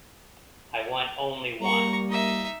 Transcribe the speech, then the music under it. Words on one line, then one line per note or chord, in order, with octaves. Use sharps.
I want only one.
G3 A#3 A#5 C#6
D#4 E5